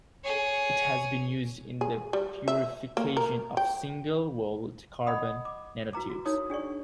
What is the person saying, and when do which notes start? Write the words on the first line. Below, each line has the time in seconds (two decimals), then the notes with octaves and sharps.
It has been used in the purification of single-walled carbon nanotubes.
0.25 G#4 C#5
1.81 G#4
2.13 G3
2.48 E5
2.97 A#3
3.17 A#4
3.57 G5
5.07 D#5 F#5 B5 D#6
5.45 D6
5.93 F#4 B4 A#5 D6
6.10 F#4
6.25 D#4 A#4 C#5 D#6
6.50 D4 G#4 D5 C#6